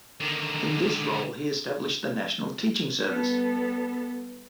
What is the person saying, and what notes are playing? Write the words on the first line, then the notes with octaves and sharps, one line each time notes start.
In this role he established the National Teaching Service.
D3 D#3
G3 B3 A4